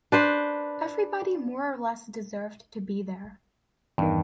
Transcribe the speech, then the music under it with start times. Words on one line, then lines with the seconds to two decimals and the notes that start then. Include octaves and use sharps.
Everybody more or less deserved to be there.
0.12 D4 B4 C5
3.98 E2 G2 D#3